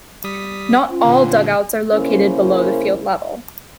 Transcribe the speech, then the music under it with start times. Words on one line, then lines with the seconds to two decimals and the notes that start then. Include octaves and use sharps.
Not all dugouts are located below the field level.
0.24 G3 D#6 B6
0.88 C#4 F4 C5
1.05 A#2 D3
1.94 C#3 A#3 C#4 E4 A#4 C5